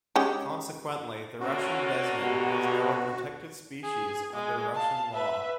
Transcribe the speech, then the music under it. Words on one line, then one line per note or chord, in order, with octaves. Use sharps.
Consequently, the Russian desman is now a protected species under Russian law.
G#3 C#4 G4
D3 A#3 C#4 F#4
B2 G4
G#4
G#3
F5 A5
B4 E5